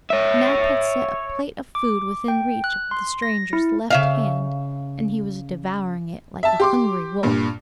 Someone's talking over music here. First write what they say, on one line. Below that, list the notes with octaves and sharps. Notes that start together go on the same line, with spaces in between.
Nap had set a plate of food within reach of the stranger's left hand, and he was devouring it like a hungry wolf.
C#5 E5
D6
G5
F#6
C6
A#6
E4
C#3 E5 F5
E5 A5
G4 C6 D6
G2 A#2